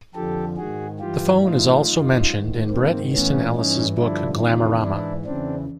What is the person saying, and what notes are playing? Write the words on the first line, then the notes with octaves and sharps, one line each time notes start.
The phone is also mentioned in Bret Easton Ellis' book "Glamorama".
F2 D3 F3 G4 A4
G#2 D#3 F#4 G#4
G2 E3 F4 G4
A2 E3 D#4 F4
F#2 D#3
G#2 D#3
G#2 D#3 A#3 C4
A2 E3 B3 C#4
G2 E3 C#4 D#4
G2 D3 F3 D4 E4
E2 C3 D#3 D#4 F4
G#2 E3 D4 E4
E2 C#3 E3 C4 D4